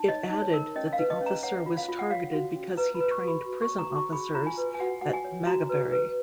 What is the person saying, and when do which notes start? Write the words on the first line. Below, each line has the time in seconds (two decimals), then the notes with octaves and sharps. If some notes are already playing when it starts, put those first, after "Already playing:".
It added that the officer was targeted because he trained prison officers at Maghaberry.
Already playing: D#4
0.08 C#5 D#5
0.31 D#4
0.42 C#5
0.54 A#4
0.76 C#4 D#5
0.93 F5
0.99 B4
1.10 D#5
1.21 C#4
1.26 A#5
1.43 C#5 F#5
1.66 F4
1.77 F5
1.88 F4
1.99 F#5
2.11 C#5 F5
2.33 F#4
2.55 C#4
2.77 B4 A#5
2.95 B5
3.00 B4
3.11 C#6
3.23 F#4
3.28 B5
3.45 F#4
3.62 C#6
3.68 C#5
3.78 A#5
3.90 F#4
3.96 C#6
4.12 G#4 B5
4.34 F4 A#5
4.46 G#5
4.57 B4
4.74 G#5
4.80 F#4 F#5
5.01 F#4 F#5
5.13 G#5
5.25 C#5
5.47 F#4 A#5
5.69 B4
5.92 B4